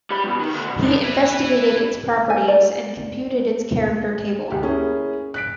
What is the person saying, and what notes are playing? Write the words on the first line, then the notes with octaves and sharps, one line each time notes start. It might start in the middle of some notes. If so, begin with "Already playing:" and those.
He investigated its properties and computed its character table.
G3 B5
F#2 B2
D#3
D2
B2
D#4 D5
E4 B4
G#5
D5
D2 G4
A#3 C#4 E4 G#4
F#6 B6 D7